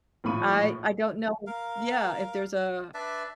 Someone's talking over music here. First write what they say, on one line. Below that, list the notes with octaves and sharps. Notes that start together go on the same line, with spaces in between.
I I don't know yeah, if there's a
A#1 A2 F3 B5 C#6 D#7
A#4 F5
D4 B4 D5 E5